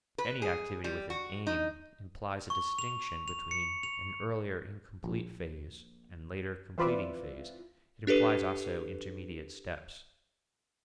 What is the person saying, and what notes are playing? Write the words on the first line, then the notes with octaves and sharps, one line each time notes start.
Any activity with an aim implies a distinction between an earlier incomplete phase and later completing phase; it implies also intermediate steps.
B4
G#4
G3
F#4
D#4
C#6
F7
F7
C#7
F7
A#1
E3 C4 F4 B4 D5 E5
D4 G4 A4 B4